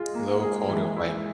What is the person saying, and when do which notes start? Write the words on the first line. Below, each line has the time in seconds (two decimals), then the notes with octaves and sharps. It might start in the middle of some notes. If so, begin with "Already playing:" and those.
Low quality of life.
Already playing: G#3 F4
0.14 A#3
0.41 G#4
0.69 E3 G#3
0.96 E4